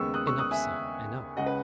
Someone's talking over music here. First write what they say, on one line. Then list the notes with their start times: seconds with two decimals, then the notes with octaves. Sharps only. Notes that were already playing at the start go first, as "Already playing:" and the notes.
Enough, sir, enough.
Already playing: D#2 C#3 G#3 B3 C#6 E6
0.14 D#6 F#6
0.27 C#6 E6
0.38 D#6 F#6
0.51 E5 G#5
1.37 C#2 C#3 G#3 C#4 D#5 F#5
1.46 B4